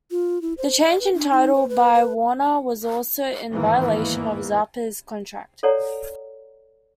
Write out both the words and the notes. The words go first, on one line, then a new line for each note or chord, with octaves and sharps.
The change in title by Warner was also in violation of Zappa's contract.
F4
E4
C5
D#5
B4
D4
D#4
C5
B4
B4
G1 E2 G#2 D#3 E3 A#3
A4 C#5 D5 F#5 A#5